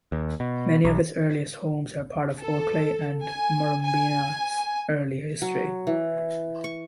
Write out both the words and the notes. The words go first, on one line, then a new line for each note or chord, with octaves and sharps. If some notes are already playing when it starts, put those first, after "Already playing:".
Many of its earliest homes are part of Oakleigh and Murrumbeena's early history.
D#2
B2
B1
A4
G#5
G#5
F#3
E3
C#6